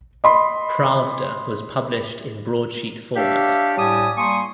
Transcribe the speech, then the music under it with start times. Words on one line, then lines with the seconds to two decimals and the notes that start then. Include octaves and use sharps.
"Pravda" was published in broadsheet format.
0.24 D#5 B5 C6
3.16 D4 G4 C#5 E5 F5
3.78 A2 G3 G4 G#5 A5 D#6
4.18 G3 A#3 G#5 C6 C#6 D#6